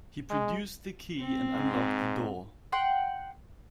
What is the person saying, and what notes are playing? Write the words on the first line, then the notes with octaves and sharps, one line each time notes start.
He produced the key and unlocked the door.
G#3
C4
G#2
F#5 G5 C6